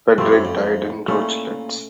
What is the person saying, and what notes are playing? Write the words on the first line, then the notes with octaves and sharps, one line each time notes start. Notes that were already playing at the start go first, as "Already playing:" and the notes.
Frederick died in Rochlitz.
F2 A3 C4 E4 G4
F#2
F2
A#2 A3 C#4 E4